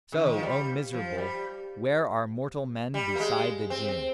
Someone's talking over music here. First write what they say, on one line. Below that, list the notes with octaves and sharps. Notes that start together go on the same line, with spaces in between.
So, O miserable! where are mortal men beside the Jinn?
C#3
D#3
F3
G3
F3
G3
G3
A#3
G#3
C4
C4